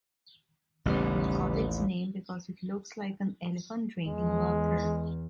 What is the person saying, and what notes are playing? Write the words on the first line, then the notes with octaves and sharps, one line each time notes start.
It got its name because it looks like an elephant drinking water.
A1 D#2 C#3 G3 B3
E2 G#3